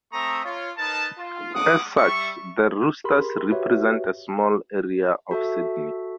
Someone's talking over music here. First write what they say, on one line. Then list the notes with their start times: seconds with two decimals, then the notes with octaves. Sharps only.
As such, the Roosters represent a small area of Sydney.
0.12 A3 C4 E5 A#5 C#6 D#6
0.44 F4 C#5
0.78 D#4 A#4 B4 A5
1.18 F4
1.55 G#3 F#5 D6 D#6
1.97 G3 E5 C#6
3.04 G4 G#4 A#4 B5 C6
3.51 F#4 G4 B4 C#5 E5
5.31 F#4 A4 E5